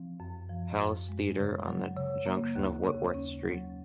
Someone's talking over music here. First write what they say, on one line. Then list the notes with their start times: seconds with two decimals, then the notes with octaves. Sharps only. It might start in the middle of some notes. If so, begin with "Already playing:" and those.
Palace Theatre on the junction of Whitworth Street.
Already playing: F3 C4
0.20 F#2
0.49 F3
0.79 F#2
1.08 G#3
1.37 C#3
1.68 F#3
1.97 C#3
2.26 A#3
2.55 D#2
2.85 C#3
3.14 C#4
3.43 F#3